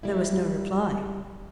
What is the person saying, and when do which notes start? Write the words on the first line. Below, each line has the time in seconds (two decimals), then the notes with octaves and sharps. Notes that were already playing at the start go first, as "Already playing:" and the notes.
There was no reply.
0.03 G3 A#3 E4